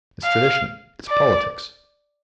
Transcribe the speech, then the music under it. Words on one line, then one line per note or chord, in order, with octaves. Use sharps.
It's tradition--it's politics.
F5
D5